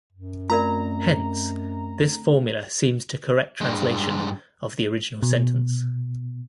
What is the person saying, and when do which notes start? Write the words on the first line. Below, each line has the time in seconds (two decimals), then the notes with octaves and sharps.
Hence, this formula seems a correct translation of the original sentence.
0.13 F#2
0.50 A3 C4 F4 A#4 D5 A#5
3.61 G2 G#3
5.23 B2